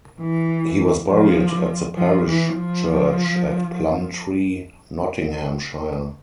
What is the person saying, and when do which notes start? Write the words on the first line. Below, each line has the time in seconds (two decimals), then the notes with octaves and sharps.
He was buried at the parish church at Plumtree, Nottinghamshire.
0.21 E3
1.09 F3
1.97 F3
2.28 E3
2.56 F3